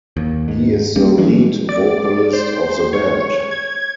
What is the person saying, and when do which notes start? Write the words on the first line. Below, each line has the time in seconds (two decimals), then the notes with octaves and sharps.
He is the lead vocalist of the band.
0.17 D#2
0.48 G#2
0.96 G3 A#3 C#4
1.18 E3 F#3 G#3 C#4
1.69 D5
2.33 C5
2.93 C#5
3.51 G#6